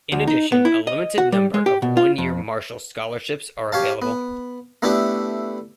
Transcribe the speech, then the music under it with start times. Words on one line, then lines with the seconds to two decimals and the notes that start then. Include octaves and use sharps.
In addition, a limited number of one-year Marshall scholarships are available.
0.12 D2
0.27 D#4
0.52 B3
0.65 E4
0.87 D#5
1.18 F#4
1.32 G3
1.54 G#3
1.66 G4
1.82 B2
1.97 F4
2.18 F2
3.72 G4 C#5 F5 A5
4.02 B3
4.82 A3 B3 D4 E4 G4 A4